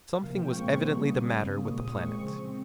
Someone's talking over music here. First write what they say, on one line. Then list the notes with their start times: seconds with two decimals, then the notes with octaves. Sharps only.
Something was evidently the matter with the planet.
0.23 C3 F3 A#3 F5
0.37 G5
0.51 A#2 F3 G#3 C4 C#6
0.80 C#3 G3 A#3
1.07 A#2 G3 C4 D#6
1.37 C#3 G3 A#3
1.64 A#2 G#3 C4 C#6
1.78 D#6
1.92 A#2 G#3 C4 C#6
2.20 C#3 F3 G#3 C4
2.49 C4